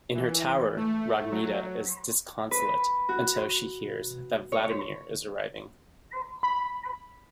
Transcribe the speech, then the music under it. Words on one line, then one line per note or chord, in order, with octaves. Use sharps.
In her tower, Rogneda is disconsolate until she hears that Vladimir is arriving.
E3
A3
F#3
B4
F#4
C#5
B5